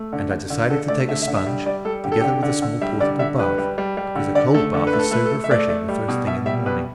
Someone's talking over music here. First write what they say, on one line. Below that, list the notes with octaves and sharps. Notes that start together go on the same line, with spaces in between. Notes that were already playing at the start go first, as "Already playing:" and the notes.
And I decided to take a sponge, together with a small portable bath, because a cold bath is so refreshing the first thing in the morning.
Already playing: A3
D3
D3
D3
D3 A4
A3 D5
D3 E5
E5
D3
E5
G3
G3 D5
G3 A4
D3 G4
A4
D3 G4
D3
D3
G3 E5
D3 D5
D3 E5
G3 B4
G3
G3
G3
D3
D3 D5
A3 A4
D3 A4
B4
A3
A4
A3 B4
A4
A3
E5
A3 D5
A3
G3
B2
B2 E5
G3 E5
B2 B4